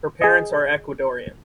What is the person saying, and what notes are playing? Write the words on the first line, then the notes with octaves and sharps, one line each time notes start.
Her parents are Ecuadorian.
G#4 D#5